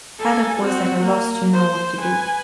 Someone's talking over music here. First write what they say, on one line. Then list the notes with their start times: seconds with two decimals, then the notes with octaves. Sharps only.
Kadok was at a loss to know what to do.
0.19 A4 G#5
0.60 C4 F#4
1.01 A#3
1.53 C5
2.00 B4 G#5